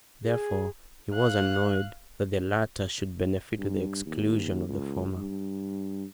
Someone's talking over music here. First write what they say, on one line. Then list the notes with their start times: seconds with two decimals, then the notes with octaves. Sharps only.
Therefore he was annoyed that the latter should benefit to the exclusion of the former.
0.23 G#4
1.14 F5 F#6
3.58 G2
4.06 D#2
4.69 C#2
5.16 G2